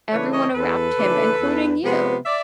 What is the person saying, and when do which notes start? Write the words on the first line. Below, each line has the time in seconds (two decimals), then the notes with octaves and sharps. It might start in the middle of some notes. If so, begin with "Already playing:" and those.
everyone around him, including you.
0.12 C#3 E3 A3 D4 B4 C#5
0.33 C#5 D#5
0.54 E2 A4 B4
0.97 C#3 E3 A3 D4
1.41 E2
1.83 C3 F3 G#3 B3
2.26 D5 E5